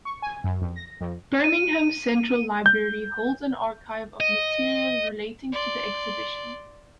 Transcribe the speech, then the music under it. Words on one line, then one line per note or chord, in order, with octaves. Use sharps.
Birmingham Central Library holds an archive of material relating to the exhibition.
C#6
G#5
F#2
F2
A#6
F2
D#7
G6
D#5
D5 C6